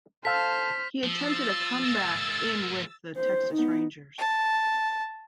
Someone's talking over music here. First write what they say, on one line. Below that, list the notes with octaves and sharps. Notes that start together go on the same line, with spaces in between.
He attempted a comeback in with the Texas Rangers.
A4 C5 F5 A5 F6 B6
F3 E6 A6
G#3 A#3
C5
B3 D#4
A5